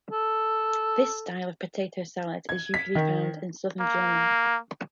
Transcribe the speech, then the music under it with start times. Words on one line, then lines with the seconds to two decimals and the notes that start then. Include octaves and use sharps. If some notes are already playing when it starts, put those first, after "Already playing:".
This style of potato salad is usually found in Southern Germany.
0.12 A4
2.49 G#6
2.74 B6
2.95 D#3
3.80 A#3